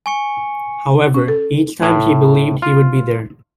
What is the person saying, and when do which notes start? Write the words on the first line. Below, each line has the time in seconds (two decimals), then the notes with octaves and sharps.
However, each time she believed he would be there.
0.06 G#5 C#6 C#7
1.14 C#4
1.28 A4
1.82 A2
2.62 F4